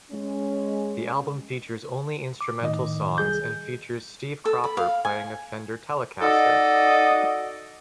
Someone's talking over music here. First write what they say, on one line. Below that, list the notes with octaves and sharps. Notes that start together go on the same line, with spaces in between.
The album features only instrumental songs and features Steve Cropper playing a Fender Telecaster.
G#3 C#4
D6
A2 D#3 D#5
C2 G3 G#4 G6
A4
B5
F5
G#5
D#4 F#4 A4 D5 D#5